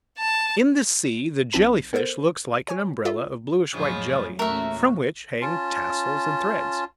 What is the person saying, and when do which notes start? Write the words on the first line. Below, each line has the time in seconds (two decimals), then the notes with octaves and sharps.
In the sea the Jelly-fish looks like an umbrella of bluish-white jelly, from which hang tassels and threads.
0.17 A5
1.51 B1 C4 D#4 A5 B6 D#7
1.93 B3 A4 A#4 C5
2.68 C#5 G#5 C#6
3.05 F4 A4 E5
3.73 F2 A2 C#3 F3 F#3 G#3
4.39 E2 A#2 A3 C#4 F#4 A#4 E5
5.41 C#4 F4 A5